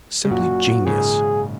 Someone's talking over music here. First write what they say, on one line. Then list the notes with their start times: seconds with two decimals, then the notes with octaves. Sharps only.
Simply genius!
0.25 C#3
0.31 F#2 A#2 F#4
0.86 G#2 C#3 G#4